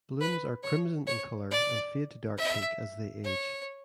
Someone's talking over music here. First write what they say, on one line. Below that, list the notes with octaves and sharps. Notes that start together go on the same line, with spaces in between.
Blooms are crimson in colour and fade to dark pink as they age.
B4
C#5
C#5
D5
E5
C#5